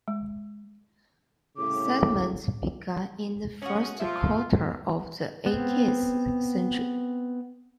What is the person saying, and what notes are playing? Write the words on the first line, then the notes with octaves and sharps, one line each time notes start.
Settlement began in the first quarter of the eighteenth century.
G#3
C2 A2 C#3 D6
C#4 F#4 G#4
F3 F4 E5
B3 C4